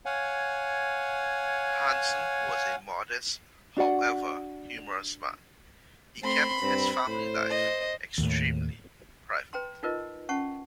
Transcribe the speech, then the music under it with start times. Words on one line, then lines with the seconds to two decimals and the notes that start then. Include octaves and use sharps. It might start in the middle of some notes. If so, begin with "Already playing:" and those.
Hanson was a modest however humorous man, he kept his family life extremely private.
0.05 C#5 F5 F#5 G#5
3.77 D4 F#4 D5 F#5
6.23 A3 C4 B5 C6
6.62 G2 C4
7.07 A2 C5
7.50 D#5
8.18 D#2 A2
9.53 B4 G5 A#5 C6
9.83 D#4 F4 A#4 B4 D#5
10.29 C#4 F#5 A5 C#6